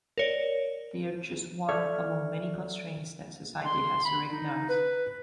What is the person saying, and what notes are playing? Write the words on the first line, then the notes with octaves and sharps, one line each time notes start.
They are just one among many constraints that society has to recognise.
A#4 C#5 D5
A4 D5 E5 C#6 F6 G#6
C6
B5
D#4
B4